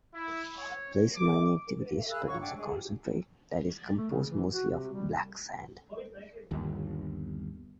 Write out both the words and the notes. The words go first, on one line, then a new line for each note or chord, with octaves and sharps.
Placer mining activities produce a concentrate that is composed mostly of black sand.
E4
C#5
D6
G#4 B5 E6 F#6
F#4 C#5 C#6
D4 F#4 G5 D6
G#4
A3
C#3
E3
F#4
C3
G3
G1 D#2